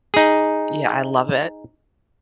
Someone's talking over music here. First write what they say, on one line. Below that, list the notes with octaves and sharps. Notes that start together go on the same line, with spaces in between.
Yeah, I love it.
D#4 G#4